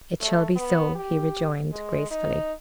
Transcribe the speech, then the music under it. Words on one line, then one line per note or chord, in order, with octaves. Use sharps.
"It shall be so," he rejoined, gracefully.
A3
B3
G4
G#3
D#4